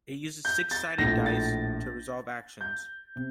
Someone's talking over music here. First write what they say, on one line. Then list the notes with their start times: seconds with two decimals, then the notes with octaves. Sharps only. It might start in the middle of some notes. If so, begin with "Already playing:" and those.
It uses six-sided dice, to resolve actions.
0.45 G6
0.71 A6
0.98 A#1 A2 F3 A#6
1.26 A6
2.61 G6
3.16 C3